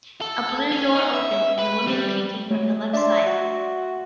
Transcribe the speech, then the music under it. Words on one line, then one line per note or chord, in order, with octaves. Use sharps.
A blue door opened and a woman peeking from the left side.
A4
C#4
D#4
E5
B4
G3
F#3 A3
D4 E5 C6
F#4